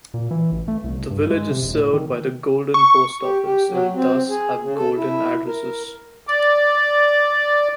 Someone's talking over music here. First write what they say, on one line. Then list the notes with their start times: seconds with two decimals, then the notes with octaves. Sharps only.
The village is served by the Golden Post Office and thus have Golden addresses.
0.14 A#2
0.31 E3
0.52 A1
0.68 A3
0.84 C2
1.11 G2
1.30 G#3
1.51 C3
1.63 E1
1.74 A2
1.93 D#3
2.74 C#6
3.22 G4
3.45 G4
3.70 F#3
3.95 C4
4.29 G#4
4.63 C#3
4.76 A4
4.97 E4
5.47 A#4
6.27 D5